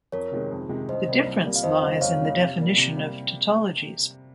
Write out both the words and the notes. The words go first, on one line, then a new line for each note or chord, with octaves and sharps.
The difference lies in the definition of tautologies.
F2 A#4 C#5
C3 D#3 G#3
F2
C3 D#3 G#3
C2 C5 D#5
C3 G3 A#3
C2
C3 G3 A#3
F5
F2 C5 D#5
C#3 G3 A#3 D#4
F2 C#5 F5
C#3 G3 A#3 D#4
C3
G3 A#3
C3
G3 A#3